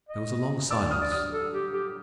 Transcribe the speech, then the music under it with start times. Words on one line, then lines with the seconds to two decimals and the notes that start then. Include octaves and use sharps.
There was a long silence.
0.09 D#5
0.70 D5 D6 E6
0.91 D#6 F6
1.01 D5
1.12 D#6 F6
1.32 A4
1.53 G4
1.73 G4